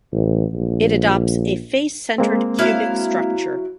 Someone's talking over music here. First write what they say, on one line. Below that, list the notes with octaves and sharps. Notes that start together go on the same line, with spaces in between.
It adopts a face-centered cubic structure.
A1
A#1
G#3 A#3 C4
F#3 E4 F5